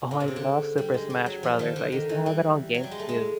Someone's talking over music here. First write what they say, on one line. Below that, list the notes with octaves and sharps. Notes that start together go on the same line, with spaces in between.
Oh, I love Super Smash Brothers, I used to have it on Gamecube.
A#2
C3
C#3
D3
G3
G#3
G3
F#3
F3
D#3
D3
D#3
E3
G3
F#3
G3
G#3
A3
G#3